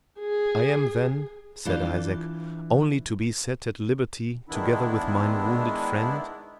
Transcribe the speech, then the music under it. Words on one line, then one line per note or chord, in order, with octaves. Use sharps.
"I am, then," said Isaac, "only to be set at liberty, together with mine wounded friend?"
G#4
E3 D4 F4 G4
D#3 G#3 B3 D4 E4